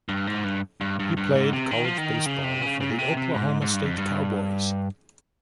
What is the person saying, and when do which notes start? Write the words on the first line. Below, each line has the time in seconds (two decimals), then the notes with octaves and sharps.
He played college baseball for the Oklahoma State Cowboys.
0.09 G2
0.27 G#2
0.44 G2
0.81 G2
0.99 G2
1.17 G2
1.35 G#2
1.53 C3
1.71 D#3
1.85 F3
1.98 D#3
2.26 C#3
2.44 C3
2.62 C#3
2.80 C#3
2.90 A#2
2.98 C3
3.17 C3
3.34 G#2
3.62 G#2
3.73 G2
3.86 F2
3.98 G2